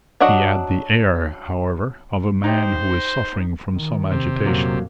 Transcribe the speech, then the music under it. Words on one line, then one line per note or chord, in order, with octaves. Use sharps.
He had the air, however, of a man who is suffering from some agitation.
F#3 D4 F#4 D#5 F#5
D#4 G4 C5
D#3
C3
F2 A#2 F#3 A#3